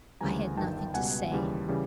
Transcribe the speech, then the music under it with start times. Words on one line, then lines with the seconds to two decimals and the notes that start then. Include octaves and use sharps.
I had nothing to say.
0.21 D2 C#3 E3 G3 G#5 A#5
0.57 G1 G2 D#3 G5 A5
0.94 C#2 B2 G3 F#5 G#5
1.31 D#2 C#3 E3 G3
1.69 C#3 E3 G3